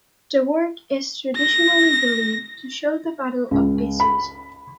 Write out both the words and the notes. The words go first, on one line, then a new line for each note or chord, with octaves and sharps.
The work is traditionally believed to show the Battle of Issus.
A#6
C#2
B5